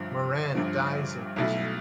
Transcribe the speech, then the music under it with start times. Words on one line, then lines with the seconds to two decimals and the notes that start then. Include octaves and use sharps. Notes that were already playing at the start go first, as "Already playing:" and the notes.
Moran dies in prison.
Already playing: G1 G2 F3
0.54 G1 G2 F3
1.36 B1 B2 A3 E4